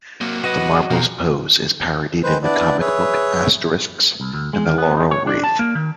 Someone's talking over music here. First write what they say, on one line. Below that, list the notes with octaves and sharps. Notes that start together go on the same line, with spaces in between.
The marble's pose is parodied in the comic book "Asterix and the Laurel Wreath".
C3 F#3 A#3
F#4 B4 D#5 F#5
E2 B2 F5 A#5
D#3 G#3 B4 C5
B3 D4 E4 B4 D5
G#4 B4 C#5 E5
C2
D2
G#3
D#3
B3
D#4
C#5
D4
A5
A#3
D#3